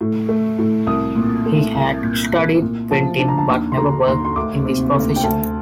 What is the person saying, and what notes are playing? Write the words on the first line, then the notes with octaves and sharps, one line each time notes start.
He had studied printing, but never worked in this profession.
A2
A3
A2
C2 D#6
A#2
A3
C2
A#2
C2
A#2
F3 A5
D4 A5
A#5
A5
D#2
C6
D3 A#5
D#2 C6
C6
D2 D6
C3
D2
G5
D2 A5